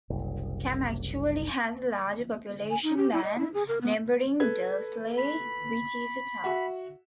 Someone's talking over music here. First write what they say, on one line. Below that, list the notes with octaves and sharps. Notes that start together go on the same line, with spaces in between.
Cam actually has a larger population than neighbouring Dursley, which is a town.
F#1 C2
G#5
D#4
G4
E4
D#5
E4
G#4
A#4
B3
A4 B4 G#6
B5
F#4 E5 F#5